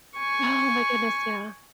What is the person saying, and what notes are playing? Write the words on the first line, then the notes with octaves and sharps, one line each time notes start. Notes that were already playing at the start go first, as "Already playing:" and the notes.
Oh my goodness, yeah.
G#5 C#6